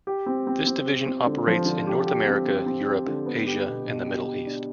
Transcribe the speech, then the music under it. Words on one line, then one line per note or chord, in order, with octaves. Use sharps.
This division operates in North America, Europe, Asia and the Middle East.
G4
C4
C4
C4
G4
C4
D3
F3
D3
G4
G4
C4
C4
C4
G4
D3
B3
G4
B2
B2
G4
G4
D4